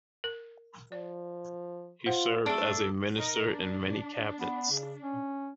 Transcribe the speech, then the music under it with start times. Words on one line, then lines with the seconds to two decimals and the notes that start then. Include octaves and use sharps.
He served as a minister in many cabinets.
0.24 A#4
0.92 F3 D5
2.06 F4 C5 F#5
2.46 A3 D4 G#4 A4 D5
3.18 D#4 A#4
3.50 D4
4.40 B3
4.71 C#3
5.00 C#4